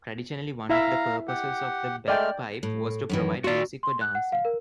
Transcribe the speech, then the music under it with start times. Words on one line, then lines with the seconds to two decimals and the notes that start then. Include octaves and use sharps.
Traditionally, one of the purposes of the bagpipe was to provide music for dancing.
0.69 E4 E5 F5 A#5
1.28 G4 F#5
2.08 G#3 A3 D5 G5 F6
2.63 A2
3.10 F#2 D#3 E3
3.44 D#4 F4 F#4 D5
3.83 C6
4.01 F#6
4.15 F#5
4.32 F5
4.45 A#4